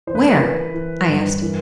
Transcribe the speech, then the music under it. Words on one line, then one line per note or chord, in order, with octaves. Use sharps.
"Where?" I asked.
E3 C5
B4
A#4
B4
E3
E3
G2
E3 A#4